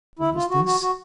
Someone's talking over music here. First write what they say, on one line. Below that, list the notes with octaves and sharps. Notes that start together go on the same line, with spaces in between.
"What is this?"
E4
F4
F#4
F#4
F#4